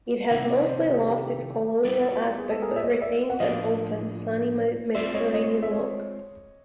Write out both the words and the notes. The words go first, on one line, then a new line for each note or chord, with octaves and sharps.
It has mostly lost its colonial aspect, but retains an open, sunny Mediterranean look.
C3 D#3 G3 C4 E4 E5 F#5
C#5 D#5
C5 D5
F#4 G#4
G4 A4
G3 B3 E4
F#4
G4
G#4
A4
G#4 A#4
E5
C#5 D#5
D5 E5
F#5
A2 F3 A#3 D4 D#5 F5
G#3 C4 F4 G#4 C5 D5 E5
C#5 D#5
C#5 D#5
E5
C#5 D#5